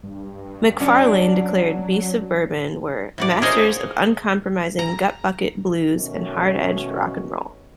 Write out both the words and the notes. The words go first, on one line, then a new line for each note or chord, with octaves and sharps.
McFarlane declared Beasts of Bourborn were "masters of uncompromising gutbucket blues and hard-edged rock'n'roll".
G2
F#3 C#4 D4 D5
A2 F#4 D5
G#4 A#4 C5 C#5 D#5 F5
A#5
B2 D#3 A3 C#4